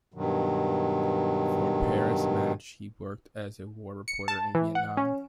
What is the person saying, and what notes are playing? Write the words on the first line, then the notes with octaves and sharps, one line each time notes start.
For "Paris Match" he worked as a war reporter in Vietnam.
G2 B2 D#3 F#3
C#7
A5
E3
F#5
C#4